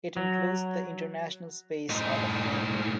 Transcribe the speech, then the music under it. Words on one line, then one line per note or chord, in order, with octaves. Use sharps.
It includes the International Space Hall of Fame.
F#3
A2 D#4